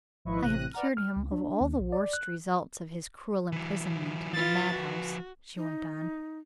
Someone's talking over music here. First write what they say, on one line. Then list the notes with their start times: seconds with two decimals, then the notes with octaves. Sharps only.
"I have cured him of all the worst results of his cruel imprisonment in the mad-house," she went on.
0.25 G#1 F3 E4 B4 D#5 C#6
0.42 A1 C3 F#6 A#6 D#7
0.73 B4 D5 F#5 A#5 F6
0.97 F6
1.16 C#2
1.32 D4
1.61 D#2
1.79 A#1
1.92 D5
2.13 F#6
3.52 E3 F#3
4.33 F3 F4 B4 A6
4.71 F#4
5.57 D#4